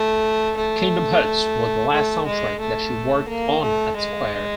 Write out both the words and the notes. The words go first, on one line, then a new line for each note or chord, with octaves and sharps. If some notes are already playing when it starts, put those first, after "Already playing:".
"Kingdom Hearts" was the last soundtrack that she worked on at Square.
Already playing: A3
A3
A3
G#3
A3
A#3
A3
G#3